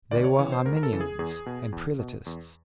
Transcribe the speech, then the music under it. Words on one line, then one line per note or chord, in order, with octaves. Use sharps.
They were Arminians and Prelatists.
D2 D5
C#5
C#3 E3 C#5
C5
D2 A#4
A#4
A4
C#3 E3
G#4
E2 G#4
B2
E2
B2
E2